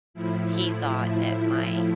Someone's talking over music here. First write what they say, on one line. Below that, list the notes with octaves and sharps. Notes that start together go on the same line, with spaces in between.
he thought that my
A2 F3 E4
E4